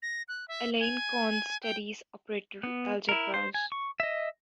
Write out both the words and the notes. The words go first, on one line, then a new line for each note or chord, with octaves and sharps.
Alain Connes studies operator algebras.
A#6
F#6
E5
G#5
G5
B3
E4 A#4
C5
G#5
C#6
D#5 E5